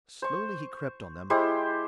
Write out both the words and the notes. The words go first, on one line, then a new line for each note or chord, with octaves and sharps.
Slowly he crept on them.
C5 C#6
G#3 E4 G4 C5